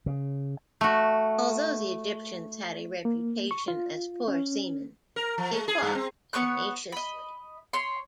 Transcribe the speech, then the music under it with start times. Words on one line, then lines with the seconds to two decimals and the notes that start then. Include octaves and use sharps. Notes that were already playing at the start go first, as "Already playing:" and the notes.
Although the Egyptians had a reputation as poor seamen, they fought tenaciously.
0.06 C#3
0.81 A3 F#4
3.05 A#3
3.51 C#6
3.68 F4
4.28 C#4
5.16 A#4
5.38 F3
5.53 G#3
5.68 G#4
5.82 G2
5.95 C4
6.33 B3 C#5 C#6 F#6
6.92 D#5 B5
7.73 C#5 C6